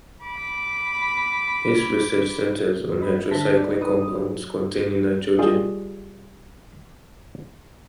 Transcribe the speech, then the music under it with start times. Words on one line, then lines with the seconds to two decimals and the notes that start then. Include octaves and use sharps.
His research centres on heterocyclic compounds containing nitrogen.
0.24 B5 D6
2.84 E2 G2
3.01 D#5 B5
3.31 D3 C5 E5 A5 A#6 B6
3.57 D5
3.81 D#4 B4 D5 D#6
4.10 F#3
5.39 G3 F4 G#4 D#5